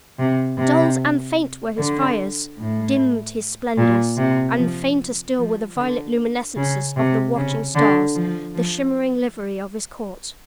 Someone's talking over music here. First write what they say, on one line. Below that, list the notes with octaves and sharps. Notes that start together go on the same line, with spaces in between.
Dulled and faint were his fires, dimmed his splendors; and fainter still were the violet luminescences of the watching Stars, the shimmering livery of his court.
C3
C3
D3
A2
A#2
C3
F3
F3
D3
C#3
C3
C#3
D3
F3
F3